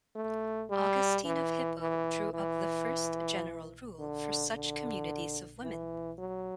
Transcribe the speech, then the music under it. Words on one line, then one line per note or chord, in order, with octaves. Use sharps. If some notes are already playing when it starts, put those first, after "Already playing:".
Augustine of Hippo drew up the first general rule for such communities of women.
A3
G3
E3
E3
E3
D3
D3
E3
F#3